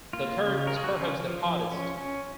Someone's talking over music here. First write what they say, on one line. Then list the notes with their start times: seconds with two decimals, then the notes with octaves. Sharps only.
The third is perhaps the hardest.
0.13 A#3 F4
0.40 C#3
0.66 C#4 A#4
0.76 G#4
0.84 F#4
0.92 C#4 F4
1.19 F3
1.46 F3
1.72 C#4
1.98 C#4